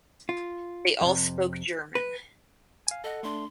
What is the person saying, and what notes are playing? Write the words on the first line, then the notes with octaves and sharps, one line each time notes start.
They all spoke German.
F4
F2 C3
B4
F5 G#5
A4 D#5 F#5
A3 D4 C6